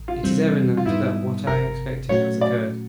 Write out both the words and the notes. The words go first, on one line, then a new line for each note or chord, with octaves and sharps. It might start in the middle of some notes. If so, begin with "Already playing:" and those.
It is evident that what I expected has occurred.
Already playing: A1 D#3
F4
F2 C3 E3 G3 C4
F4
G#2 D#3 G3 B3 D#4 E4
G1 F2 C3 A#4
A#2 F#3 A3 C#4 F#4 C#5
D5